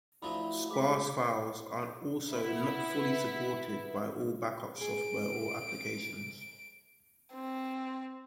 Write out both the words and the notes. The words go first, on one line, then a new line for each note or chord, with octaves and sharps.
Sparse files are also not fully supported by all backup software or applications.
D2 F3 F#3 E4 B5
G#3 D6 B6
B3 E4
G#4 D7
C4